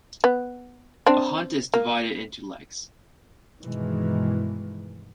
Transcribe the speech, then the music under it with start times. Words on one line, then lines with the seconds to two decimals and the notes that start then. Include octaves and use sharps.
A hunt is divided into "legs".
0.24 B3
1.06 C4 D4
1.74 A#3
3.61 G2 B2 D#3 E3 G#3